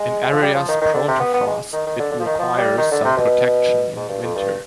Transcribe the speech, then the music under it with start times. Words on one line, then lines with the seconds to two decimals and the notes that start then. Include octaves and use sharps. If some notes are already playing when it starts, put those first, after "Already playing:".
In areas prone to frost, it requires some protection in winter.
Already playing: G#3
0.32 F3
0.42 G3
0.54 F3
0.68 D#3
0.82 D#3
0.94 D3
1.08 C3
1.20 B3
1.34 B3
1.46 G#3
1.73 D#3
1.87 D#3
1.99 D3
2.12 D3
2.19 F3
2.26 D#3
2.39 F3
2.58 G3
2.78 D#3
2.91 D3
3.04 C3
3.17 B2
3.96 G#2
4.09 G2
4.23 F2
4.36 G2